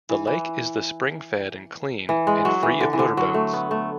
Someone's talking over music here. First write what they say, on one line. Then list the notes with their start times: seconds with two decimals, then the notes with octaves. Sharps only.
The lake is the spring fed and clean and free of motor boats.
0.09 E3
0.27 E3
2.09 E3
2.27 G#3
2.45 F#3
2.63 E3
2.81 D3
2.93 E3
2.99 D3
3.17 F#3
3.34 A3
3.53 B3
3.71 A3